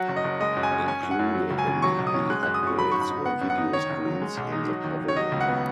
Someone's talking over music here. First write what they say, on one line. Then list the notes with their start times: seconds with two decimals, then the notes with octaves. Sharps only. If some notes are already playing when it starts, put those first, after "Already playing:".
Included in the upgrades were video screens in the pavilion.
Already playing: F#3 F#5
0.09 F#1
0.16 D#5
0.24 F#1
0.41 G#3 D#5
0.57 F#2
0.63 G#5
0.71 C#4
0.88 C#4 G#5
1.03 F#2
1.11 F#5
1.19 F#2
1.35 F#3
1.51 C#2
1.59 G#5
1.67 C#2
1.82 F#3 C#6
1.98 B1
2.07 D#6
2.14 C#4
2.30 G#3 F#6
2.43 F#2 F#6
2.54 D#6
2.63 F#2 C#6
2.78 F#3 B5
2.92 G#2 C#6
3.01 B5
3.11 D#4
3.26 B3 F#5
3.41 F#2
3.50 F#5
3.58 D#4
3.73 D#3 C#5
3.90 F#1
4.05 F#3
4.22 G#3
4.37 B1
4.52 D#4
4.69 F#3
4.84 D#2
5.00 D#2
5.08 C#5
5.16 F#3 D#5
5.32 C#2
5.41 F#5
5.48 B3